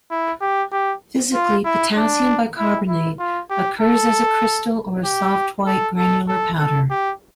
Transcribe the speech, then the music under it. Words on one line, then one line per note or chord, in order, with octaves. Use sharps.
Physically, potassium bicarbonate occurs as a crystal or a soft white granular powder.
E4
G4
G4
F4
E4
D4
E4
E4
F4
G4
A4
G4
A4
A4
A4
A4
G4